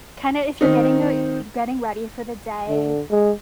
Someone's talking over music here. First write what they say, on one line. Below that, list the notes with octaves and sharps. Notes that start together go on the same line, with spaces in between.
kinda if you're getting your you're getting ready for the day,
D#3 C4 D#4
D3
G#3